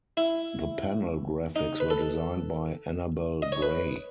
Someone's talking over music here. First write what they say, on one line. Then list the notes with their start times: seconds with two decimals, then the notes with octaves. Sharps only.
The panel graphics were designed by Annabel Grey.
0.17 E4
1.56 D#4
1.80 B4
1.90 A4
3.42 D#5
3.52 C#5
3.62 B4